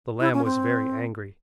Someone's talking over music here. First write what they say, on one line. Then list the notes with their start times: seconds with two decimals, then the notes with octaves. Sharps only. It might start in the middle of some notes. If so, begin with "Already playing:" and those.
The lamb was very angry.
0.20 E4
0.33 C#4
0.45 C4